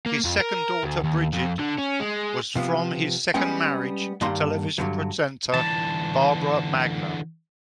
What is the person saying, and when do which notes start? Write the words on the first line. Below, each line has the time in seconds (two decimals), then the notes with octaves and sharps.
His second daughter Brigid was from his second marriage to television presenter, Barbara Magner.
0.06 A#3
0.25 F2
0.41 A#4
0.83 D2
1.04 D#2
1.34 F2
1.60 D3
1.79 C#4
2.00 G#3
2.55 C3 F3 B3
3.34 G3 G#3 B3 C#4 G5
4.21 G2 D#3 A#3 D5 A#5 C6
4.78 G2 D3 F#3
5.54 D3 E3 A5